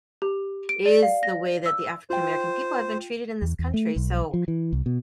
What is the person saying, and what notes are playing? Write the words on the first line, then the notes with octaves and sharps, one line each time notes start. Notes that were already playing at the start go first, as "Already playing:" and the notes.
is the way that the African American people have been treated in this country. So,
G4
D7
D5
F5
A#6
E6
F4 C5 G5
E2
E2
A3
B1
F3
E3
C2
B2